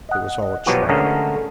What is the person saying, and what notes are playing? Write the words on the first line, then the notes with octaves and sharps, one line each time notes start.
It was all a trap.
D#5 F#5
D#5
B2 F3 F#3 B3 F#4 G4
D3 G#3 A3 C#4 A#4 D#5